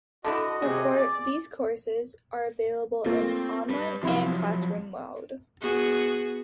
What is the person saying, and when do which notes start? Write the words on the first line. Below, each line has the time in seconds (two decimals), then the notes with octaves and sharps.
These Courses are available in online and class room mode.
0.24 D3 A3 E4 F#4 D#5
0.62 C3 G#4
0.96 D5
3.06 A3 A#3 C4 F4
3.70 G3 B4
4.03 C3 F3 F#3 E4 F5
5.61 B3 F#4 G#4